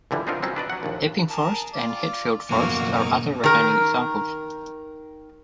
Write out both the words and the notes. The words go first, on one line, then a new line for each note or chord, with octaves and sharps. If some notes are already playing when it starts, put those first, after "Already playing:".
Epping Forest and Hatfield Forest are other remaining examples.
C#2 D3 E3 G3
B3 C4 D4 D#4 F4 A#4
F#3 G3 C4 C#4
D4 B4 D5 D#5
F#3 F#5
A#1 D#2
G#4 A#4 A5
F4 D5
F#2 B2 A#3 F#4 F5
D#4
D#3 A#4